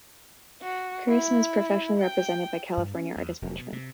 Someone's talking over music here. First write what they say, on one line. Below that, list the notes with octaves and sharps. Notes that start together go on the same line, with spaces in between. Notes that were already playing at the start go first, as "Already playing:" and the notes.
Chorissima is professionally represented by California Artists Management.
F#4
E4
G5
G2
C#4
E2
F1
B2
C3